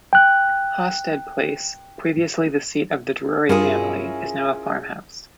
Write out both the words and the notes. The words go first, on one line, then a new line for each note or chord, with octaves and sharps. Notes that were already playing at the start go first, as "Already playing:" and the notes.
Hawstead Place, previously the seat of the Drury family, is now a farmhouse.
G5 F#6
G2 C#4 E4 F4 G#4 A#4